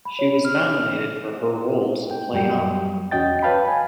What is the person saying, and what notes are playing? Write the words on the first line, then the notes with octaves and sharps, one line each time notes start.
She was nominated for her roles in Play On!
B5
C#5
F6
G5
F#2 F#3 G3 G5
E2 C#4 F#4 D#5 G5 A6
B4 C#5 F5 G5 A5 B5
G#5